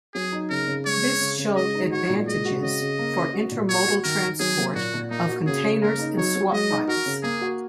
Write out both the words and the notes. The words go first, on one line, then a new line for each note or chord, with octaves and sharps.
This showed advantages for intermodal transport of containers and swap bodies.
F#3 G#4
D#4
C#3 A#4
C#3
G#3 C#5
C#4
C#3
C#3
G#3 D#5
D#4
F#4 C#5
A#2
G#3 D#5
F#4
C#3 D#5
C#3
A#3
C#4
F#4
A#2
A#3 C#5
F#4
D#3 A#4
D#3
F#3 G#4
A#3
A#2 F#4
A#2
A#3 D#4
F#4
C#3 G#4
C#3
A#3 A#4
D#4
F#3 C#5
F#3
G#3 D#5
D#4
F#4 A#4
C#3
A#3 G#4
F#4